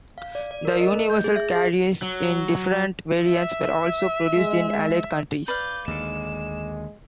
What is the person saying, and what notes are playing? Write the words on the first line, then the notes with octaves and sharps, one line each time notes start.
The Universal Carriers, in different variants, were also produced in allied countries.
F5
D5
D5
A#4
D#5
A3
G6
G#4
E5
G#4
F#3
E5
G#3
B4 D5 F5 G6
D#2 D3 G#3 E7